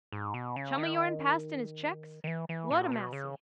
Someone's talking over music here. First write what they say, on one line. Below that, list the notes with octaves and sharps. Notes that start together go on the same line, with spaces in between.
Chum o' yourn passed in his checks? Ludamassy!
G#2
B2
C#3
D#3
D#3
E3
E3
A#2
B2
C#3